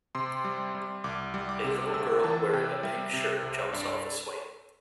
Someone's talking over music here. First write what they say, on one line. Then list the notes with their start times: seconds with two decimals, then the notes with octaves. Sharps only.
A little girl wearing a pink shirt jumps off a swing.
0.15 C3 C6
0.45 G3
0.75 G3
1.04 C2 D6
1.34 G3
1.49 D6
1.64 C3
1.94 D2 E6
2.24 E3 A5
2.53 C3 G5
2.83 G3 E5
3.13 C3
3.43 C2
3.73 G2 D5